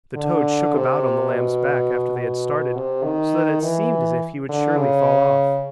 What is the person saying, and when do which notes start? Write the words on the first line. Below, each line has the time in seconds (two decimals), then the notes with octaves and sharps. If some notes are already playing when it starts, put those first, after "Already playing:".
The toad shook about on the lamb's back after they had started so that it seemed as if he would surely fall off.
0.16 D3
0.75 C3
1.32 B2
2.17 B2
2.75 C3
3.04 D#3
3.62 E3
4.49 D3
4.78 C#3